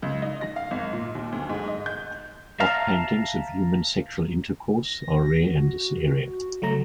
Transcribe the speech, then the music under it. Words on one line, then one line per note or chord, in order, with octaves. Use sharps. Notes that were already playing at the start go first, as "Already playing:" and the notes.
Rock paintings of human sexual intercourse are rare in this area.
C#2
D#4
A#6
F5
G#1
A#2
D#2
D2
G#2
D#5
G6
E5 F5 A5 A#5 F6
A#6
F#4
C#3 F#3 A3 A#5